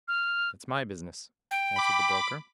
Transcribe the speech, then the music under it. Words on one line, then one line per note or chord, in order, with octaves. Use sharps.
"That's my business," answered the broker.
F6
G5
B5 D6